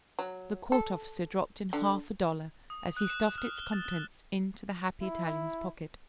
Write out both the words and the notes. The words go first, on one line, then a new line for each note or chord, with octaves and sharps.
The court officer dropped in half a dollar as he stuffed its contents into the happy Italian's pocket.
F#3
A4
D3
D#6
F#6
E7
F6
G7
A6
E4